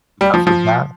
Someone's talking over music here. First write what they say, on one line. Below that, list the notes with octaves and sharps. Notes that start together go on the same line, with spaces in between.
because of that?
G3
F3
F3